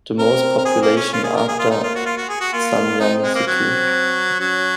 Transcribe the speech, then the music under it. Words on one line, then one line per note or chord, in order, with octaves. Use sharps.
The most population after Zanjan city.
C4 A#4
A#4
G#4
A#3
C#4
A#3 F4
G#4
A#4
G#4
F4
D#4
F4
F#4
F4
F#4
G#4
F#4
A#3 F4
C4 D#4
G#3
A#3
F#3 C4
F#3 C#4